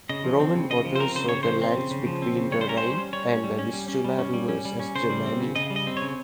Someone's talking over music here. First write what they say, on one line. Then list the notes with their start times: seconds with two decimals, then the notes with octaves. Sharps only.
Roman authors saw the lands between the Rhine and the Vistula rivers as Germania.
0.09 C#3 D#5
0.24 F3
0.40 C4
0.55 C#3
0.70 C#3 D#5
0.85 F3
0.96 C5
1.00 C4 A#4
1.15 C#3 C5
1.29 C#3 C#5
1.43 F3 C5
1.61 C4
1.77 C#3
1.91 C#3
2.07 F3
2.22 C4
2.36 C#3
2.52 G3 C#5
2.61 C5
2.67 C#4 A#4
2.77 G3 C5
2.98 C#4
3.13 G3 C#5
3.27 C#4
3.44 G3
3.59 C#4
3.73 G3
3.88 C#4
4.04 G3
4.19 C#4
4.34 G3
4.49 C#4
4.65 G3
4.80 C#4
4.95 C#3 C5
5.10 G3
5.26 C4
5.41 C#3
5.55 C#3 D#5
5.70 G3
5.76 D#5
5.87 C4
5.97 C#5
6.02 C#3